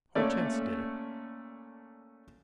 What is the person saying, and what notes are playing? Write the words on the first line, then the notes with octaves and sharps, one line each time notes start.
"Hortense did it."
A#2 A3 C#4 D5